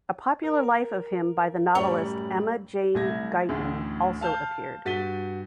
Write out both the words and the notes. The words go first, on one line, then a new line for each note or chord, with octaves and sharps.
A popular life of him by the novelist Emma Jane Guyton also appeared.
A#4
F#2 A2 G3 C#5
C2 A3 G#6 A#6
F4
A1 D2 A2 C#3
F5 A5 F6 G6
G2 F#4 A6 B6 D#7 G7